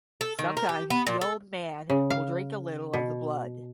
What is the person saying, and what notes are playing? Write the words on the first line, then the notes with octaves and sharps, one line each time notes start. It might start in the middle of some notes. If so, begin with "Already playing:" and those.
Sometimes the old man will drink a little of the blood.
A4
D#3
A#4
G4
B3
A#2
A4
C#3
F5
B2